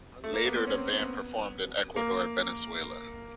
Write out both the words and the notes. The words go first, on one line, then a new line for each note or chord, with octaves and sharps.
Later, the band performed in Ecuador and Venezuela.
A3
A#3
B3
C4
C#4
C4
C4
B3
A#3